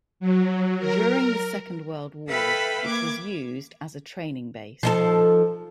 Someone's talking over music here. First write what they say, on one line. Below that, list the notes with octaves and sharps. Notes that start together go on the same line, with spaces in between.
During the Second World War, it was used as a training base.
F#3
A#4
A4 B4 E5 F5 G5 B5
A#3 D6 G#6
F3 D#4 A4